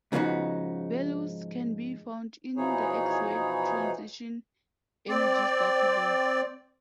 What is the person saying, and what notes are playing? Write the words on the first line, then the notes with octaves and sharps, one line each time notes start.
Values can be found in the X-Ray Transition Energies Database.
G#2 C#3 F3 B3 D#4 F#4
B2 E3 F3 D#4 G#4 C#5
C4 D5